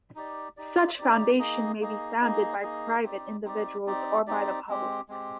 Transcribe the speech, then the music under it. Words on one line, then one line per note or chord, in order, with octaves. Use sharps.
Such foundation may be founded by private individuals or by the public.
D#4 G4 D5
D#4 G4 D5
D#4 G4 D5
A#3 D#4 G#4 D#5
A#3 D#4 G#4 D#5
A#3 D#4 G#4 D#5
A#3 D#4 G#4 D#5
C4 D#4 G4 D5
C4 D#4 G4 D5
C4 D#4 G4 D5
C4 D#4 G4 D5
G#3 C4 G4
G#3 C4 G4